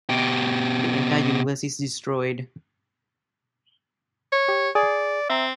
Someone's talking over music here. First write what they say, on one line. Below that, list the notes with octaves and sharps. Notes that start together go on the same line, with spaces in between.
The entire universe is destroyed.
B2 G4
C#5
G4
G#4 D5
C4 E5 A#5